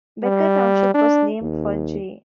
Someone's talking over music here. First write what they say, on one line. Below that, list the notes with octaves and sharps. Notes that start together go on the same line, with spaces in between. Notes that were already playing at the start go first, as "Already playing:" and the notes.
Becker Township was named for J.
G3
D4
D#2